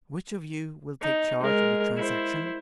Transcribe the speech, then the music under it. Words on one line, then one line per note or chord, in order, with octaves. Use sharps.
"Which of you will take charge of the transaction?"
D#4
G#3 A#4
E4 C5